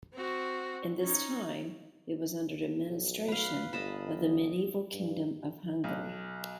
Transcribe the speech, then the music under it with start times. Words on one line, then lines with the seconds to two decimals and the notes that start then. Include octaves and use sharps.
In this time, it was under administration of the medieval Kingdom of Hungary.
0.13 C4 F#4
1.00 C#4 D#4
2.86 B1
3.28 B4 F5
3.73 G1 D#5 A5 B5
4.93 G2
5.84 B1